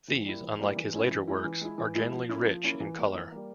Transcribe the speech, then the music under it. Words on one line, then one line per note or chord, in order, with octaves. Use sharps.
These, unlike his later works, are generally rich in colour.
E3
G3 A#3 E4
E3
G3 A#3 E4
E3
G#3 C#4 E4
E3
G#3 C#4 E4
E3
G#3 E4
E3
G#3 E4
F3
A#3 C#4 E4
F3
A#3 C#4 E4
E3
G3 A#3
E3
G3 A#3